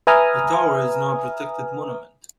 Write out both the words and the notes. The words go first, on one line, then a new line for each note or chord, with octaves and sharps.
The tower is now a protected monument.
B4 E5 G#5 A#5 D#6 F6